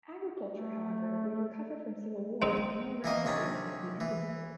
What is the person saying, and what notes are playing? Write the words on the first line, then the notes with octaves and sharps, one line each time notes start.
Agriculture, however, would recover from civil war more rapidly than heavy industry.
A3
G#3 C4 D#4 A#4
E3 A#3 D#5
C3 D#3 C#4 D4
E3